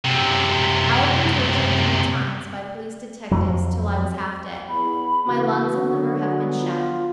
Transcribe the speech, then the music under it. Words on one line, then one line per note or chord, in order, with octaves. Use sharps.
I have been tortured three times by police detectives till I was half dead. My lungs and liver have been shattered.
F#2 C3
F2 F#3
E2 B5
C#3 E3 B3 F#4
D3 F#3 B3
F4